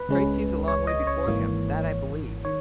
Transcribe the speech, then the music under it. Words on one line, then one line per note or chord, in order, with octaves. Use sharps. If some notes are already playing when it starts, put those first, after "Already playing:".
The Frate sees a long way before him; that I believe.
Already playing: B4
C#2 C#3 G#3 C#4
C#5
D#5
C#5
G#1 G#2 E3 A#3
D#3 C#5